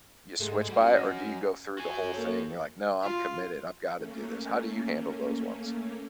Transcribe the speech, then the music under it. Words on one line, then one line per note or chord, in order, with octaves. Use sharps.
you switch by it or do you go through the whole thing and you're like, "No, I'm committed, I've gotta do this," how do you handle those ones?
G#2 A3 G4 G#4
G3 F#4
C#4 F#4
D#5 F6 A#6
F#4 G#5
A#3 A4 C#5
F4
A3 A#3 C#4